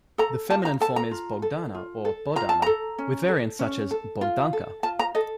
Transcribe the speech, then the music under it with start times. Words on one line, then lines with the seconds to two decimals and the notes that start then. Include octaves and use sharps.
The feminine form is Bogdana or Bohdana, with variants such as "Bogdanka".
0.18 A4 A#5
0.50 F4 A5
0.65 A#5
0.80 A4 A5
0.96 A#5
1.11 F4
1.42 A4
1.75 F4
2.05 A4
2.36 F4 A#5
2.49 A5
2.62 A4 A#5
2.98 C#4
3.28 A4
3.59 C#4
3.91 A4
4.21 F4
4.53 A4
4.83 F4 A5
4.99 A#5
5.15 A4 D#5